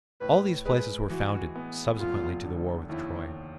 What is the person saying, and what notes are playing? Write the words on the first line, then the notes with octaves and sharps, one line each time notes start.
All these places were founded subsequently to the war with Troy.
A2 B4
G#3 B4
E3 F#4
B3
F1 F4
D3
D#2 E4